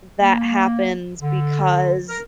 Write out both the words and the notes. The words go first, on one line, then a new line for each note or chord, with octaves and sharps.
that happens because
A#3
D3
A#4